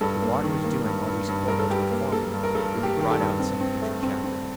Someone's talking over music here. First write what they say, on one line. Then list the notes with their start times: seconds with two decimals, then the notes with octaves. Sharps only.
What the water was doing while these coal beds were forming will be brought out in some future chapter.
0.01 G2 A4
0.22 A#3
0.43 D#3
0.64 A#3
0.86 G2
1.06 G2
1.28 G2
1.48 G2 A#4
1.59 A4
1.70 G2 G4
1.91 A#3
2.12 A#3 A4
2.34 G2
2.43 A#4
2.55 G2 A4
2.76 A#3
2.83 G4
2.97 D#3 G4
3.11 A4
3.18 G2
3.39 C4
3.61 C4
3.82 A3
4.03 C4
4.24 C4